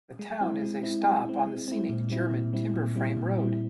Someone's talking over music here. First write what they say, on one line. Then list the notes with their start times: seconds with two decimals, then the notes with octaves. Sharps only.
The town is a stop on the scenic German Timber-Frame Road.
0.19 G#3
0.41 C4 E4
0.62 G#3
0.83 C4 E4
1.04 G#3
1.25 C4 E4
1.47 G#3
1.68 C4 E4
1.89 A#2
2.10 G3 C4 E4
2.32 A#2
2.53 G3 C4 E4
2.74 A#2
2.96 G3 C4 E4
3.17 A#2
3.38 G3 C4 E4